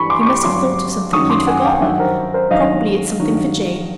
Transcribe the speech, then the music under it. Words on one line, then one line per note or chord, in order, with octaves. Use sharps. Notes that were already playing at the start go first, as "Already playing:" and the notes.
He must have thought of something he'd forgotten, probably it's something for Jane.
Already playing: G2 E3 B5 C#6
C6 D6
C#6
C6 D6
G2 D3 F#3 C6 D6
F#2 D#3 F#3 C#6 D#6
C6 D6
F#5 G#5
F5 G5
G2 D#3 F#3 E5 F#5
A#4 C5
A#4 C5
G2 D#3 F#3 D#5 F5
G2 D#3 F#3